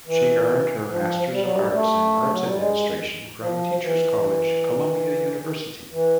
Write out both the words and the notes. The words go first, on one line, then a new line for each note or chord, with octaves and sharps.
She earned her Masters of Arts in Arts Administration from Teachers College, Columbia University.
E3
F3
G3
F#3
G3
A3
F#3
G3
G#3
F3
E3
E3